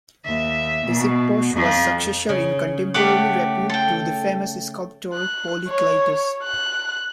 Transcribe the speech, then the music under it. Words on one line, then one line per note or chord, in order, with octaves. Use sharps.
Lysippos was successor in contemporary repute to the famous sculptor Polykleitos.
D#2 E5
B2
F2 F3
C#3
A3 G4 F#5 D6
A4 G5
F#6
C#5
F#6